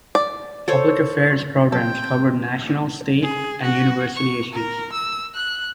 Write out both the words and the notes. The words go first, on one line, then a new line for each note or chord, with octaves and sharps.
Public Affairs programs covered national, state and University issues.
D5
A4 C5 C#5
F#3 C4 A4 G5
G#4
F#4
C#6
A#4
E6
F#6